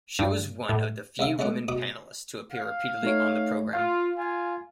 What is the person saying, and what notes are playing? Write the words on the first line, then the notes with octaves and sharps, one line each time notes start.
She was one of the few women panelists to appear repeatedly on the program.
G2
A2
C2 C#3 E5 F5
G#3 A3 C#4 F#5 D6
B2 D6 D#6
F5
A3 D#4 C#5
F4 F5
F4 G#5